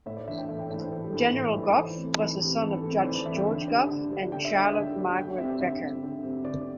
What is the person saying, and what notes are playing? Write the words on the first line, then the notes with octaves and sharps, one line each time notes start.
General Gough was the son of Judge George Gough and Charlotte Margaret Becher.
A2 E5
D5
E3 A3 D4 E5
G5
A2 E5
G5
E3 A3 D4 E5
C5
A2 A4
G4
E3 A3 D4 A4
A2
E5
E3 A3 D4
D5
E3 C5
A3 C4
E3 A4
A3 C4 G4
E3 A4
A3 C4
D5
E3 C5
D5
A3 C4 E5
G5
D3 E5
G3 D4
D3
G3 D4
D3 G5
E5
G3 D4 D5
D3 E5
G3 D4
D3 G5
G3 C4 E5
D5
D3 E5
G3 C4
D3
G3 C4
D3 D5